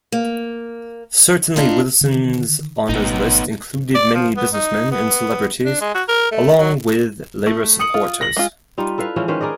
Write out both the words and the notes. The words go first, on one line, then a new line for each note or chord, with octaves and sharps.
Certainly Wilson's honours list included many businessmen and celebrities, along with Labour supporters.
A#3
D4 D#4 F4
D3 D#3
G#1 B2 A3 B3 D#4
D5
F3
B3
D#4
B3
D4
G#3
F#4
A#4
A3
F#3
A3
D#6 C#7 F#7
F4
A#6 F#7
G#3 F4
G3 D#4 F4
E4 A4 B4 F5
E3 F3 G#3 C#4
D#3 C#4 B4 C5
G#4 A#4 D5 D#5